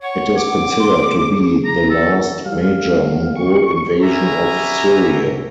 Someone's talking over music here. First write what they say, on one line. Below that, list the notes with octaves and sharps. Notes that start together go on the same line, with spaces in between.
It is considered to be the last major Mongol invasion of Syria.
C#5 F#5
D6
C6
G#4
A#5
A4
G3 F5
C#6
F#2 B2 G4 E5 G#5 A#5